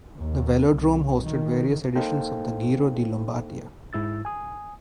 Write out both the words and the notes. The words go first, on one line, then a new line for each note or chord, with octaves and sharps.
The velodrome hosted various editions of the Giro di Lombardia.
D#2
C2
D#3
A#3 D#4 A4 C5 F5 G5
G#2 E4 E6 A6
G#5 D#6